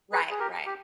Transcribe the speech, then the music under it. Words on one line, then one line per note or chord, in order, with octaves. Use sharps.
Right, right.
G#4 B4
G#4
G4 A#4
G4